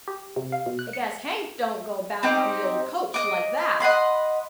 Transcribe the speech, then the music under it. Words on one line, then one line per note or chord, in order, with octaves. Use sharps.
I guess Hank don't go back on the old coach like that.
G4
C3
F5
B2
F#6
C#7
C4 D#4 G4 C5
D#5 D6
D#5 F#5 B5 C6